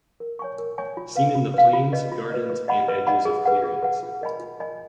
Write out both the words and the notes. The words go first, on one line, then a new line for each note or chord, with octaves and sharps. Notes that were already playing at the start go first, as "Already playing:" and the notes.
Seen in the plains, gardens, and edges of clearings.
A#4
C#5 G#5 C#6
A#4
C#5 G#5 C#6
F4
B4 F5
F4
B4 F5
F4
B4 D#5
F4
B4 D#5
B4
D#5 F#5 B5
B4
D#5 F#5 B5
G#4
B4 F#5
G#4
B4 F#5
F4
A#4 D#5 G#5 B5
F4
A#4 D#5 G#5 B5